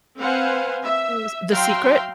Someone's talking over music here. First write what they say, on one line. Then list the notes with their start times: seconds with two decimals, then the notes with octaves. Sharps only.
what was The Secret
0.17 C4 B4 C5 F5 F#5 G#5
0.83 E5
1.51 F#3 E5 F5 G5 A#5 C6